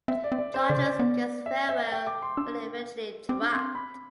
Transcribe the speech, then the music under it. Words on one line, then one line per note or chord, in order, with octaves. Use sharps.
Charges against Farrell were eventually dropped.
C4 E5
D5
C4
D5
C5
D3 D5
C3
D5
B3
E5
E5
G5
D6
C6
D4 E6
C4 D6
D4
C4 C6
B5